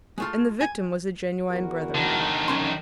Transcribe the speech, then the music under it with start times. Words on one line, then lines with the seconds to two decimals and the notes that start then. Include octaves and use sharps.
And the victim was a genuine brother-in-law.
0.18 G#3 A3 F4
0.61 G#5
1.51 E2 F#4 A#4
1.95 D3 D#3
2.48 F#2 C#4 C6